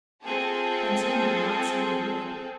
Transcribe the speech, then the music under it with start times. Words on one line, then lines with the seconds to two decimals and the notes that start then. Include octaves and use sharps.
Fantine did not seem to hear it.
0.23 C4 F4 G#4 A4